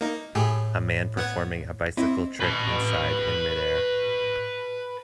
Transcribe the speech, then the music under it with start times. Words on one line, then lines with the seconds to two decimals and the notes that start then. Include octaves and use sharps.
A man performing a bicycle trick inside in midair.
0.01 A#3 D#4
0.35 A2 A3 G4 G#4
1.17 B3 F#5 G#6
1.97 C4 E4 D#5
2.40 B4 A5